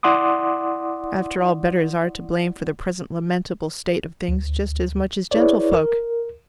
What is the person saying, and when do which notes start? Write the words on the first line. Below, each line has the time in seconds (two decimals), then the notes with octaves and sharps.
After all, bedders are to blame for the present lamentable state of things, just as much as gentlefolk.
0.03 E4 D5 F#5 C6 D6 D#6
4.28 D2
5.31 E4 G#4 B4 C#5 D5
5.73 A#4